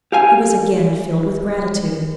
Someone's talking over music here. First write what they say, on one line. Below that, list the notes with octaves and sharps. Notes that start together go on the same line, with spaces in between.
He was again filled with gratitude.
G4 F5 G#5